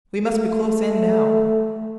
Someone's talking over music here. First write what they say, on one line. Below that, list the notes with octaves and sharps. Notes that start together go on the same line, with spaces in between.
We must be close in now!
A3